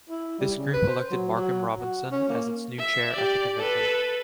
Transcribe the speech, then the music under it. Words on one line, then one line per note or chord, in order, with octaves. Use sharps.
This group elected Markham Robinson as its new chair at the convention.
E4
G3
C#3
B4
C5
F#3
F#3
F#4
C#4
A#3
E5
G4 D5
A4 B4